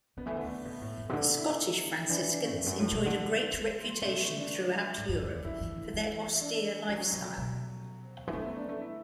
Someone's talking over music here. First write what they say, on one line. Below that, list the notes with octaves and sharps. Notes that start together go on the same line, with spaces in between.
The Scottish Franciscans enjoyed a great reputation throughout Europe for their austere lifestyle.
D3 B3
E3 A3
D3 B3
B2
A2
F#2
B2
D3
E4
E3 D4
D4
A3
E2
F#2
A2
B2
D3
D3
B2 A3
A3
D4
A2
F#2
F#2
E2
F#2 E4
E3
E3
E3
D4
D3 F#3
F#3
B2 F#3
F#3
B2
E3
D3 A3
B3
D4
A3
E4